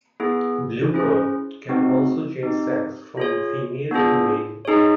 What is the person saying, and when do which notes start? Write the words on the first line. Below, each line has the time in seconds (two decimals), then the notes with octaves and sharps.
Blue cod can also change sex from female to male.
0.20 B3 E4 G#4
0.94 C#4 E4 G#4 C5
1.69 A3 C4 D#4 F#4
2.43 C4 D#4 G4
3.17 F4 G#4 C#5
3.91 B3 D4 F4 G#4
4.65 D#4 G#4 C#5